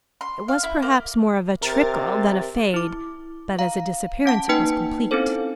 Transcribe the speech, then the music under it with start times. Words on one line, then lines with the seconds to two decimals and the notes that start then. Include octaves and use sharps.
It was perhaps more of a trickle than a fade, but as a disappearance it was complete.
0.21 C6
0.48 F5
0.63 E4
0.82 A#3
1.63 C3 A#4 A6
2.74 E4 D6
3.59 F5 A#5
4.26 C#4 F#5 A5
4.49 A#3 D#4 B4 G5 A5
5.11 C4 C#4 D#4 E4 A4 C5